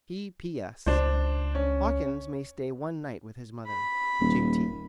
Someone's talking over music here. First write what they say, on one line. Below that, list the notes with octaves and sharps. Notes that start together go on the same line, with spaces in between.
P.P.S.--Hawkins may stay one night with his mother. J. T.
C#2 D4 C5
C#4
B5
D#1